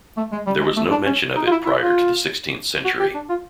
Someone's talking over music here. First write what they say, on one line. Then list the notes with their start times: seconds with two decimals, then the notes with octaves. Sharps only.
There was no mention of it prior to the sixteenth century.
0.17 A3
0.32 G#3
0.47 G3
0.61 G#3
0.77 A3
0.91 D4
1.06 C#4
1.36 D#4
1.47 F4
1.51 E4
1.66 E4
1.81 F4
2.85 F#4
3.00 G4
3.14 D4
3.29 F4